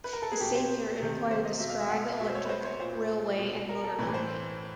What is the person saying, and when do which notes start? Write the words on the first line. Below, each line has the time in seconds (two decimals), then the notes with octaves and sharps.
The same year, it acquired the Sprague Electric Railway and Motor Company.
0.04 B4
0.13 A#4
0.22 A4
0.32 G#4
0.40 B2 G4
0.55 C5
1.00 C3 D#3
1.31 C5
1.45 D#5
1.60 B2 E5
1.70 F5
1.80 E5
1.90 F#5
2.05 F5
2.19 B2 E5
2.29 C5
2.35 C#5
2.45 B4
2.49 C5
2.65 C#5
2.79 A#2 C5
3.39 B2
3.69 A#4
3.84 A4
3.99 A2 E3 B4
4.14 C5